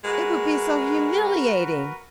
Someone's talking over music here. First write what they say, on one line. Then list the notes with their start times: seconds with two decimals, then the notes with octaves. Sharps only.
It would be so humiliating.
0.04 G#3 F#4 A#4 B4